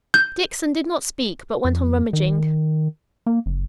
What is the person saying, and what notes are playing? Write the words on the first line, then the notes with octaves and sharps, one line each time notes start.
Dixon did not speak, but went on rummaging.
G6
F2
D#3
A#3
F#1